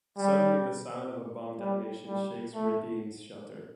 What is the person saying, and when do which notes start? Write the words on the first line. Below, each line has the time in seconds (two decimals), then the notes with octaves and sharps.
Suddenly, the sound of a bomb detonation shakes Radin's shelter.
0.18 G3
1.59 G3
2.07 G3
2.54 A3